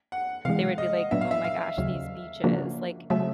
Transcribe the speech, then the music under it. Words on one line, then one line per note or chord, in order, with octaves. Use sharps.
they would be like, "Oh my gosh, these beaches, like,
F#5
C3 E3 G#3 F5
D#5
A#2 F#3 B3 D4 E5
F5
E5
F5
D#2 C#3 F#3
C#3 F3 A#3 D4 F#4
C#3 F#3 A3 E5